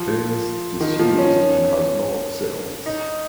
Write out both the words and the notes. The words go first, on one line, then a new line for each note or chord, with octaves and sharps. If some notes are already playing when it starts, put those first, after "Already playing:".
It is disused and has no sails.
Already playing: F3
D#3
F3
C#4
D#4